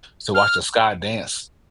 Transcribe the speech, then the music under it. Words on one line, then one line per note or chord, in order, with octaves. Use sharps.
so watch the sky dance,
F6